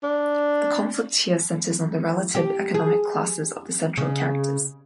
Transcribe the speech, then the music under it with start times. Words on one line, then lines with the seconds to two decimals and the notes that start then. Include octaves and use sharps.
The conflict here centres on the relative economic classes of the central characters.
0.04 D4
2.35 G4
2.74 G#4
3.97 C#3